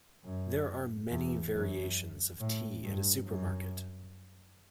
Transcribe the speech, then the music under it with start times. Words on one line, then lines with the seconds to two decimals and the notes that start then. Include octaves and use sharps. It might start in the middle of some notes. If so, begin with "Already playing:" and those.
There are many variations of tea at a supermarket.
0.25 F#2
1.11 E2
1.54 F#2
2.40 A2
2.84 G2
3.27 F#2